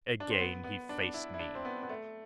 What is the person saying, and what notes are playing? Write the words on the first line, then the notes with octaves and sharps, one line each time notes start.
Again he faced me.
D4
C4
B3
B3
D4
E4
E4
D4
C4
B3
B3
A3